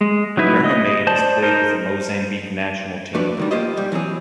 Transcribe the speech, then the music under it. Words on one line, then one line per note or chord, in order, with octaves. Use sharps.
Nurmamade has played with the Mozambique national team.
G#3
F#3 D#4 E4 B4
D#5 D#6
C5 D5 A5
D#4 A#4 C5
F3 A3 D4 F#4 B4 D5
G#2 D#3 G3
A#3 F4 G4 C5 D#5
G#2 G3
E3 F#3 C4 G#4